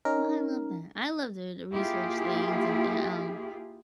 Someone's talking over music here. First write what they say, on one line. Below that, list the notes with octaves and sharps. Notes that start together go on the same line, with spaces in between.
Well, I love that. I love doing the research things and the, um
C#4 D#4 A#4
A#3 E4 F4 G4 G#4